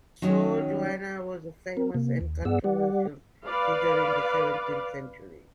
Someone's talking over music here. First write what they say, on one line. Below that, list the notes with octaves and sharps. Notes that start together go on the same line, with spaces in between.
Sor Juana was a famous and controversial figure in the seventeenth century.
D#3 F#3 C#4
C4 A#4
C3 A#3
D#2
G2 B3 G#4 D5 F#5 E6
G3 G4 D5 F#5
B4 D5 F5